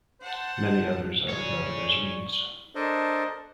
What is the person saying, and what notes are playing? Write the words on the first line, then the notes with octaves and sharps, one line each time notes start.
Many others are regarded as weeds.
C5 F#5 A5
G#4 C#5 D5 C#6
D4 A4 A#4 C5 D#5